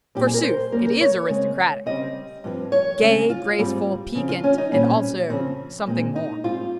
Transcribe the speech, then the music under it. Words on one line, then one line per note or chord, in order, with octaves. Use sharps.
Forsooth, it is aristocratic, gay, graceful, piquant, and also something more.
A#2 G3 C4 G4
G#4
A#4
C5
C#3 G3 A#3 A#4
A#4
C#5
C#3 G#3 C4
C#3 G3 C4 D#5
G2 F3 C4
C#5
C#3 G#3 C4
F4
G#2 G3 C4
C#3 F3 C4
F4
C#4
D#4
A#2 G3 C4 C#4
F2 C#3 F3 C4
A#2 G#3 C4
D#4
G#2 G3 C4 F4